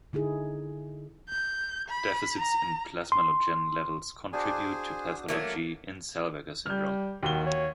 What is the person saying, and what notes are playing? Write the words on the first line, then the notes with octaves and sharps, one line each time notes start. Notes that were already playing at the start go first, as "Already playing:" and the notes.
Deficits in plasmalogen levels contribute to pathology in Zellweger syndrome.
D3 D#4 E4 G#4
G6
B5
A#5
C6
D4 F#4 G#4 C5 D5 G#5
F#3 A3 A#3 F6
G3 F6 G6
D#2 D#3 F#4 G7
C#5